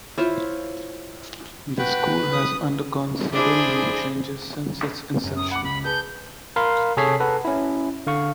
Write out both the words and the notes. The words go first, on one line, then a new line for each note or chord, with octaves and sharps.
The school has undergone several name changes since its inception.
E4 F4 C5 C#5
F#4 B4 G5
D#6
D4 E4 G#4 C5
F#2
D#6
F#5 B5 D6
C#2 B5
G#4 B4 A5 G6
A#4 F5 B5 C6
C3 G#4 A4 C#5 B6 C7
A4 B4 F#5
C#4 E4
D3 F5 C#6